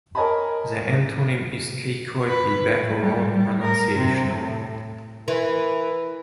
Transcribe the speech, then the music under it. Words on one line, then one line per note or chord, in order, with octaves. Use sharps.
The antonym is "cacoepy" "bad or wrong pronunciation".
A#4 C#5 D#5 G#5 A5 B5
B4
A2
G3
G3
A#4
C3
A2
E3 A#4 B4